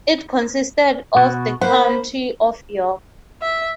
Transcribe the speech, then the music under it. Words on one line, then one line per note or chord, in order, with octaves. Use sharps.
It consisted of the County of York.
B2 F#4
A#3 B4 C5 F5 F#5 B5
E5